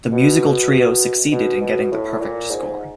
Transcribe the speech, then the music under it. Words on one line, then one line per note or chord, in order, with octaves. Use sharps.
The musical trio succeed in getting the perfect score.
B2
B2
B2
A2
A#2
G#2